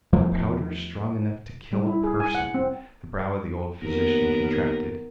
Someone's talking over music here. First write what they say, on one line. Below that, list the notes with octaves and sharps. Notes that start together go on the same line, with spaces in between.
"A powder strong enough to kill a person?" The brow of the old physician contracted.
E2 F3 F#3 A3
G3
E4
G#4
G#5
F#5
C4
D#2 B3 A#4